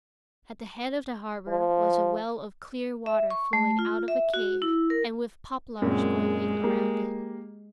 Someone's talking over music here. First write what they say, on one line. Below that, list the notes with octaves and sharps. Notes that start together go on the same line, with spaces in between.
At the head of the harbor was a well of clear water flowing out of a cave, and with poplars growing around it.
F3
E5
C#6
A3
F4
E5
F#4
E4
A#4
F#2 A#2 G#3 C4
A#3 G4